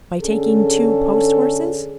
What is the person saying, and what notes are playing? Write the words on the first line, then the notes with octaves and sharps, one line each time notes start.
"By taking two post-horses?"
D3 C#4 G#4 A4